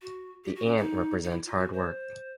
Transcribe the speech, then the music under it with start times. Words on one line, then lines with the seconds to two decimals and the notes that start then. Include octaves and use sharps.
The ant represents hard work.
0.02 F#4
0.44 G4
0.56 F#4
0.66 C#4
0.77 D#4
1.24 D#4
1.30 E4
1.45 F4
1.59 F#4
1.73 C5